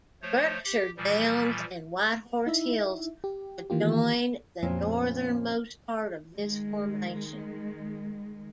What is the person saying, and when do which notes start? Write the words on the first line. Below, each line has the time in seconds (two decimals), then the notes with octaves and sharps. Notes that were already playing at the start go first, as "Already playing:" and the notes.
The Berkshire Downs and White Horse Hills adjoin the northernmost part of this formation.
0.22 F3 A3 C5 C#5
0.65 G4
0.97 A#2 E3 F3 G3
2.47 D#4 E4 E5
3.24 G4
3.70 D#3 E3 A#3 F4 G4
4.63 F2 A#2 G#3 C4 C#4
6.37 D#3 G#3